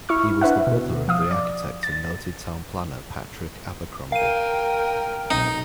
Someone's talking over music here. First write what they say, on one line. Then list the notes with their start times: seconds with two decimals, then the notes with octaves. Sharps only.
He was the brother of the architect and noted town planner, Patrick Abercrombie.
0.09 E4 C#6 F6
0.41 D4 B4 E5 F#5
0.67 B2
1.08 F3 F5 D#6
1.31 D5
1.83 A6
4.12 A#4 F5 G5 D#7
5.31 B1 D#4